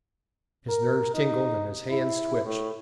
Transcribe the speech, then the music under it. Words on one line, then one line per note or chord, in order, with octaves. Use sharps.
His nerves tingled and his hands twitched.
A#4
D#4
E4
A2